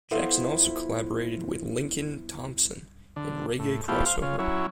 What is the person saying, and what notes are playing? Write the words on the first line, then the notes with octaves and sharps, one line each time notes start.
Jackson also collaborated with Lincoln Thompson in reggae crossover.
B3 E4 F4 A4 C5
D3
A2
A3 B3 E4 F4 G4
C5 F5
C#3 F4
F#3 C#4 E4